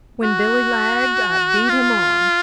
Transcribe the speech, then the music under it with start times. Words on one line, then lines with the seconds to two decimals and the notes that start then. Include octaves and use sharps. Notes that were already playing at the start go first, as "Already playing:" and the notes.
When Billy lagged I beat him on.
0.23 F#4
1.69 F4